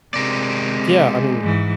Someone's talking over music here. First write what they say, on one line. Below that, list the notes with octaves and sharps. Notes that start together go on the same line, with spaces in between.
Yeah, I mean,
C3 G#3 A#4 D5
G#2 E3